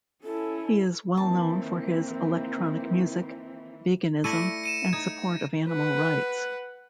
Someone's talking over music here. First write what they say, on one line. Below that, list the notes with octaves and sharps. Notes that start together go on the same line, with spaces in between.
He is well known for his electronic music, veganism, and support of animal rights.
C#4 E4 A4
D#3 E3 A#3 C4 A5
A3 E4 D5 A#6 C#7 D#7
C#7 D#7 E7
D#4 G#6
B4 F#5